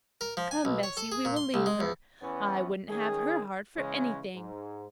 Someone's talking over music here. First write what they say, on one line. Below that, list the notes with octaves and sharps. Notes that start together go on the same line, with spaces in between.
Come, Bessie, we will leave her: I wouldn't have her heart for anything.
A#4
F3
G#5
B1
C#5
A4
G#4
A#2
C6
C2
G#3
E2
E2 E3 B3 C#4
D#3 C#4 G#4
C#3 E3 G#3 C#4
G#2